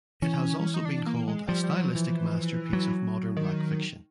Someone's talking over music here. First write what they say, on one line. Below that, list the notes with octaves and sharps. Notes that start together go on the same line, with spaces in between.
It has also been called "a stylistic masterpiece of modern black fiction".
E3 C#4
D#4
D4
A#3
G#3
F3 G3
G3
F#3
E3
F#3
D#3